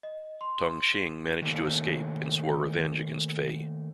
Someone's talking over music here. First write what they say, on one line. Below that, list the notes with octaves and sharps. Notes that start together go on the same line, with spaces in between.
Tung Shing managed to escape and swore revenge against Fei.
D#5
C6
D#3 A3 A#3